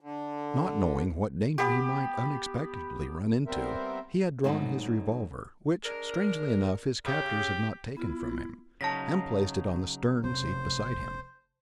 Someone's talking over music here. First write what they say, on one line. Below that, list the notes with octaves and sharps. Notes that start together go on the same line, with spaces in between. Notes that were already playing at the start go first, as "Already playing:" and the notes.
Not knowing what danger he might unexpectedly run into, he had drawn his revolver, which, strangely enough his captors had not taken from him, and placed it on the stern seat beside him.
D3
B3 G4
G3 B3 C4 A#4 C5 E5
G#2 D3 F#3 A3 B3 D#4
G#3 D4 A#4
C#3 G4
B3 E4 F4
C#3 F#3 D#4 A5 A#6 B6
F1 C5